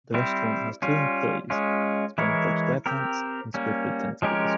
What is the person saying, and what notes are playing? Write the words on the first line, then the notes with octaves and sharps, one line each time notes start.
The restaurant has two employees: SpongeBob SquarePants and Squidward Tentacles.
G3 C4 E4
G3 C#4 F4
G#3 C#4 F4
E3 G#3 E4 A#4 C#5
C4 G4 A#4
G3 A#3 C#4
F3 G#3 C#4 G4 A#4